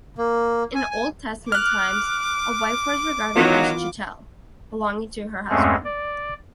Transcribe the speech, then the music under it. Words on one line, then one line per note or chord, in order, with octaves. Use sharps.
In Old Testament times, a wife was regarded as chattel, belonging to her husband.
A#3
G#5
G#5
D6 F6 F#6
D#3 E3 F#3 B3 F4
E2 G2 G#3 A3 C4 C#4
D5